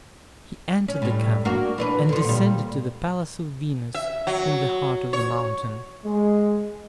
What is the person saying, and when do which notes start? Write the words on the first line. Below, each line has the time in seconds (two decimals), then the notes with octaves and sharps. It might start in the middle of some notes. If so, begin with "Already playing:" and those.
He entered the cavern, and descended to the palace of Venus in the heart of the mountain.
0.88 C#4
1.02 A2 G3
1.45 A#3 D4 F#4
1.78 E3 D4 B4
2.09 D3 F3
2.25 A#2 G3
3.95 E5
4.27 F#3
5.13 C#5
6.05 G#3